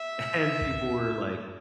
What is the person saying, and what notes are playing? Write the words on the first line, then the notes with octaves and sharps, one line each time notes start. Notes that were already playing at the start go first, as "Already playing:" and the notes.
and people were like
Already playing: E5